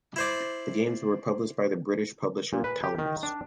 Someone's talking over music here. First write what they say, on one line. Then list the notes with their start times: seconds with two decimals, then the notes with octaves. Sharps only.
The games were published by the British publisher Thalamus.
0.16 E4 C5 D5
2.53 A#2
2.64 B4
2.83 G4
2.99 D#3
3.23 D4